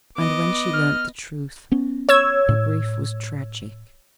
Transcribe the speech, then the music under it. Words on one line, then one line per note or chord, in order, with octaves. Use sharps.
And when she learnt the truth, her grief was tragic.
B3 D#5 D6
F6
B3 C#4
C#5 E6 G#6
A2